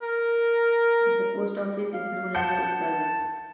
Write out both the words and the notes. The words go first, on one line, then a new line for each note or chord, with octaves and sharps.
Their Post Office is no longer in service.
A#4
F5
F#5 A5 G6 C#7